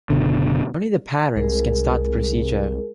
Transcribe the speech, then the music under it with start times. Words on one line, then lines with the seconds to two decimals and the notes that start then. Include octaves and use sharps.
Only the parents can start the procedure.
0.10 F#1 B2 D3
1.36 C2 G#3 G#4 A#4